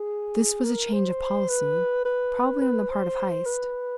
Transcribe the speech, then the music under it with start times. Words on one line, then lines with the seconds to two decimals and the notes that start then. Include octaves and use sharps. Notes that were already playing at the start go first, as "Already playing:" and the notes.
This was a change of policy, probably on the part of Heyst.
Already playing: G#4
0.65 A#4
0.93 C5
1.49 B4
2.05 B4
2.61 B4
2.91 C5
3.46 B4